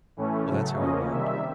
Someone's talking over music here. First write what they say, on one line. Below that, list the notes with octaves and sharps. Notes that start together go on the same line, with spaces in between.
Well, that's how he walked.
A2 E3 A3 C#4
C#3 F#3 A3
C#3 F3 A#3 C#4 D#5
C3 D#3 G3 E5